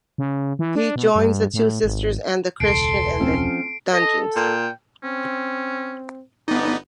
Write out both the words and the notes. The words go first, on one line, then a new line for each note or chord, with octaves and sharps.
He joins the two sisters and the Christian in the dungeons.
C#3
E3
D4
B2
G2
A2
G#1
E1 C#2 A4 C6 C7 D7
F3 C4 C#4
A4 D#5
A#2 G5
C4 C#4
G1 B3 D#4 D5